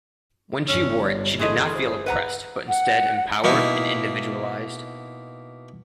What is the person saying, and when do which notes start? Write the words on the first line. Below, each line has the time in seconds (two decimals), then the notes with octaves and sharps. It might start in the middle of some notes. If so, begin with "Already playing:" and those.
When she wore it, she did not feel oppressed, but instead empowered and individualized.
0.68 G1 C#4 E6
1.03 G3 C#5
1.39 E3 F#3 G#4 A4 D#5 C6 D#6
1.75 C5 E5
2.06 B4 F#5 A#5
2.68 F#5
3.44 B2 A#3 D#4 E4